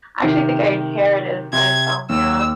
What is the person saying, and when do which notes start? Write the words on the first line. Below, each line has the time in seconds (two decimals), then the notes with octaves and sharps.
I actually think I inherited my insomnia.
0.22 C3 D#3
1.53 C3 G#6
2.09 D#2 E6